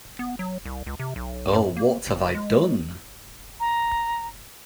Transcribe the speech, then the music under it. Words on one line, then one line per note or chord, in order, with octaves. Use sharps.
Oh, what have I done?
B3
F#3
C2
C#2
C3
B1
F#2
A#3
F#1
G#3
A#5